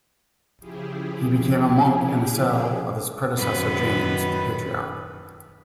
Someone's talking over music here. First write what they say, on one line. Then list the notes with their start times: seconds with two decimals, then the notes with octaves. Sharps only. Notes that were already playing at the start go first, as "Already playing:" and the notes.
He became a monk in the cell of his predecessor James, the Patriarch.
0.60 C#3 F3 E4 G4 G#4
3.37 F#2 D#3 B4